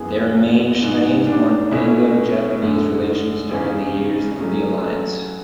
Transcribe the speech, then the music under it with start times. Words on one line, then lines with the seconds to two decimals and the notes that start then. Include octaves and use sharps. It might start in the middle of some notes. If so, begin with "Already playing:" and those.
There remained strains on Anglo-Japanese relations during the years of the alliance.
Already playing: F#2 E3 B3 G#4
0.14 E4
0.82 G#2 E3 G#3 B3
1.27 D4
1.71 B2 A3 C#4 E4
2.61 F#2 D3 A3
3.50 E2 C#3 G#3 C#4 G#4
4.40 A2 F#3 A3 C#4
4.81 B4
4.85 A4